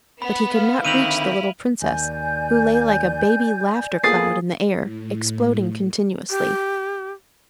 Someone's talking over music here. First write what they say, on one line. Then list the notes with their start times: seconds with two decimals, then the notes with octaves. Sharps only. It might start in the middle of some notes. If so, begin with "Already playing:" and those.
But, he could not reach the little princess, who lay like a baby-laughter-cloud in the air, exploding continuously.
0.22 B3 B5
0.53 F5
0.85 D3 D#3 C4 E4 D#7 F7 F#7
1.81 D#2 D5 G#5 G6
4.03 A#3 B3 F4 G#4 A4 D#6 A6 C7
4.81 A2
6.30 G4